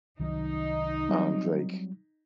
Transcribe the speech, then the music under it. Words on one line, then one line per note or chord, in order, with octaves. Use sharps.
um, like
C2 D#3 F#3 D#4
F#3 G3 C4